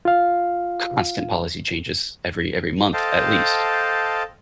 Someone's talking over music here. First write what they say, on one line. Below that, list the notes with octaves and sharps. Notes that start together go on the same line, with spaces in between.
constant policy changes every every month at least.
F4 F5
A4 C5 D#5 F5 G5 A5